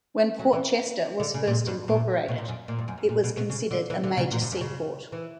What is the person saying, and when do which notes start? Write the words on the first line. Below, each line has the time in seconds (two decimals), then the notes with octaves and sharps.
When Port Chester was first incorporated, it was considered a major seaport.
0.39 F#3
0.53 E3
1.20 D3
1.34 C#3
1.47 A#2
1.67 G2
1.88 A#2
2.28 B2
2.38 A#2
2.48 F#2
2.68 A#2
2.79 G2
2.88 F#2
2.98 G2
3.09 A#2
3.23 B2
3.37 B2
3.50 C#3
3.71 D3
3.90 E3
4.04 D3
4.17 C#3
4.31 A#2
4.42 G2
4.52 F#2
4.61 C#3
5.12 E3